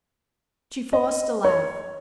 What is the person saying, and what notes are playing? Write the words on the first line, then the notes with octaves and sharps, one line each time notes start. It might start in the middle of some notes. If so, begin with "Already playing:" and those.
She forced a laugh.
D#5
C#5